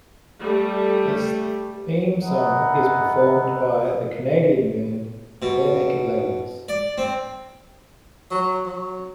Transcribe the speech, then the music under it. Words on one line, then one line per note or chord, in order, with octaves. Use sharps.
The theme song is performed by the Canadian band, Barenaked Ladies.
G3 A3
B3 A#4 D#5 E5 F#5
B2
D5
C4
F#3
F#3